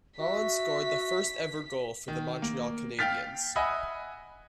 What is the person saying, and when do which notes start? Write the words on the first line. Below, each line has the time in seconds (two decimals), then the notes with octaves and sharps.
Lalonde scored the first-ever goal for the Montreal Canadiens.
0.20 F#4 E5 B6
2.08 D#3
2.42 A#3
2.99 F5 G5 F6 A6 B6
3.56 D#5 E5 F#5 G#5 B5 D#6